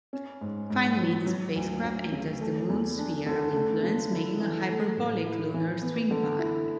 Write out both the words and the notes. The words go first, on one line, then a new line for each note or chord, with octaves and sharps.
Finally, the spacecraft enters the Moon's sphere of influence, making a hyperbolic lunar swingby.
C#4
G#2
G#2
F#3
F#3
D2
D2
C#3
A3
E2
D4
D3
A3
C#3
E4
E3
A3
A2
E4
E3
B3
D3
E4